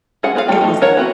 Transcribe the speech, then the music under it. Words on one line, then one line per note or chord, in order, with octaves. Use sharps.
it wasn't
G#3 C#4 G#4 F#5
B3 F4 G#4 C#5 F5
G3 A3 F4 G5
A3 D#4
D4 A#4 C#5 F#5
B3 C4 E4 F#4